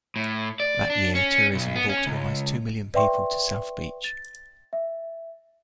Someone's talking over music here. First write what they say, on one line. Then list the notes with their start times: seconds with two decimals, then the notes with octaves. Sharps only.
That year, tourism brought almost two million people to South Beach.
0.16 A2
0.60 D5
0.90 D4
1.15 C#4
1.54 B1
1.75 B3
1.89 C#4
2.06 C#2
2.94 B4 D5 E5 G5 C6 C#6
4.04 A6
4.73 E5